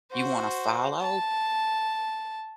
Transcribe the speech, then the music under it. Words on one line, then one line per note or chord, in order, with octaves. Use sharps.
you wanna follow
F#4 C5
A5